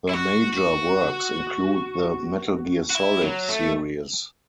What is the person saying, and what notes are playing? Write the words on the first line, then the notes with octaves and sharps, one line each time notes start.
Her major works include the "Metal Gear Solid" series.
E4
F#4
F#4
F#4
E4
F#3
A3